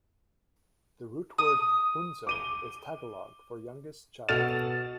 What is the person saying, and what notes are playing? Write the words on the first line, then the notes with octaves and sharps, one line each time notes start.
The root word "bunso" is Tagalog for youngest child.
D#6
D6 D#7 G7
B2 A4 F#5 F6 A6 E7